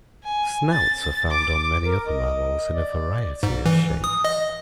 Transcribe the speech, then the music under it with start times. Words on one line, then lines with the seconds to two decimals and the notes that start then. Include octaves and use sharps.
Snouts are found on many other mammals in a variety of shapes.
0.24 G#5
0.73 A6
1.30 D6
1.85 A#4
2.07 D#5
2.75 D5
3.43 G#2
3.66 E3
4.04 D#6
4.24 D#5